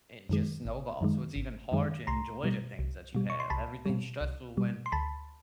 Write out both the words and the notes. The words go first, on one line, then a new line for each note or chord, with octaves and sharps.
it just snowballs, so it's even hard to enjoy the things that you have, everything's stressful when
F#2 D#3 G#3
G#1
F#2 D#3 G#3
G#1
F#2 D#3 G#3
C2 A#5 C6
B2 G3
C2
B2 G3
C#6
C6
C2 A5 B5
B2 G3
C2
B2 G3
C6
D2 A5 B5